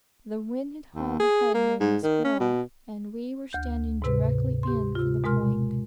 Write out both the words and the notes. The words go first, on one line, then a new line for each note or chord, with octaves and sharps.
The wind had hauled ahead during the squall, and we were standing directly in for the point.
D#2
G#4
A#3
G#2
D#3
C#4
B2
D2 G6
G#2 C3 B4
G4 C6
C3 F4
B2 G#3 A#4 C6 F6